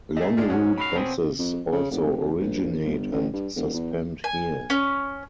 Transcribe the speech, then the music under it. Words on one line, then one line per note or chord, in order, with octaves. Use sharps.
Long route buses also originate and suspend here.
A3 G#4 D#5
G#3 D4 F4
G#2 C#4 F#4
G#2 F#3 F5 B5
B2 F3 C4 G#4
F2
C#3
F1
A#1
G1
A1
G2
E1
E2
G#5
C#4